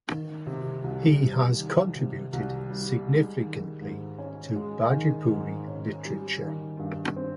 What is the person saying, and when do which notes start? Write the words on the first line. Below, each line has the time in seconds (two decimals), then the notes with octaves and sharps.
He has contributed significantly to Bhojpuri Literature.
0.09 D#3
0.47 C3
0.84 C2
1.21 G3
1.58 D#3
1.96 C3
2.33 C2
2.70 G3
3.07 G#3
3.44 D#3
3.82 G#2
4.19 C#4
4.56 G#3
4.93 D#3
5.31 G#2
5.68 C#4
6.05 G3
6.42 D#3
6.79 G2
7.16 C4